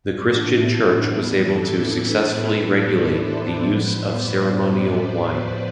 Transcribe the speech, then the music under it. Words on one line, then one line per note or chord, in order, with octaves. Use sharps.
The Christian Church was able to successfully regulate the use of ceremonial wine.
A2 E3 B3 D4
E4
E4
A4
B4
B4
D5
C5
A2 F3 B3 B4
C5
D5
B4
D5
C5